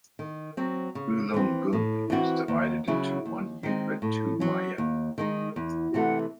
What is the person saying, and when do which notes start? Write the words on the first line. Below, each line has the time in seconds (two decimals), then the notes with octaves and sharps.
Ulleung-gun is divided into one "eup" and two "myeon".
0.19 D#3
0.57 F#3 C4
0.95 C#3
1.34 E3 C4
1.73 A2
2.10 E3 C4 F#4
2.48 D#2
2.88 C#3 F#3 C#4 E4
3.26 D#2
3.63 D#3 G#3 C4 D#4
4.02 A2
4.40 F#3 C#4
4.78 D#2
5.18 D#3 G#3 D#4
5.56 E2
5.94 C3 E3 A3